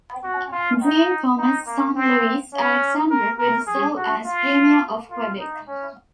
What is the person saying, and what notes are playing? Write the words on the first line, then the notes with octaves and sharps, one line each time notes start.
Jean-Thomas's son Louis-Alexandre would serve as Premier of Quebec.
F#4
F4
D#4
D#4
A#3
C4
C#4
A#4
A#4
G#4
F#4
F4
F4
D#4
C#4